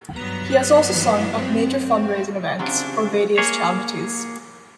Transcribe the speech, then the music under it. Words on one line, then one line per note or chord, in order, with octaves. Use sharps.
He has also sung at major fund-raising events for various charities.
G2 F#3 B3 A#5
F#6
E3
C4
C#3 F#3 C4 D4 E4 F4 G4
A#3 G#4 C#5